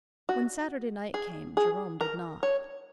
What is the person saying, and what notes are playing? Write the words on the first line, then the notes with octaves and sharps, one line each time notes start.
When Saturday night came Jerome did not.
F#4
G#4
G#4
A#4
C#5